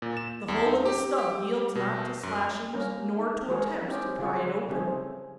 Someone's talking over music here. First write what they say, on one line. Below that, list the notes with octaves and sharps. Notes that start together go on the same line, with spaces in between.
The hole in the stump yields not to slashings, nor to attempts to pry it open.
A#2
E7
E2
D#4
G4
G4
B2
F#2
G3 A#3 C#4 A#4
D#4
E3 G#3 F#4 G#4 A#4
C4 C#4 D#4 G4
C#3 F4 G#4 C#5
C#3 G3 A3 C4 D#4 G#4